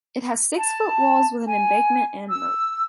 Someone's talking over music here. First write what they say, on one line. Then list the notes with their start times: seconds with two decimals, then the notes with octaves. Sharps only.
It has six foot walls with an embankment and moat.
0.57 A5
1.47 G#5
2.28 E6